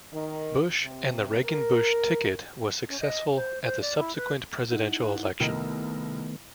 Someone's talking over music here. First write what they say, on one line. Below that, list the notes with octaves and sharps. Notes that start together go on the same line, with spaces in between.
Bush, and the Reagan-Bush ticket was successful at the subsequent presidential election.
D#3
C3
A#4
C#4
D#5
C5
C5
D5
E4
B4
D#4 E4 F#5
C2 D#3 A3 B3 A#4 D#5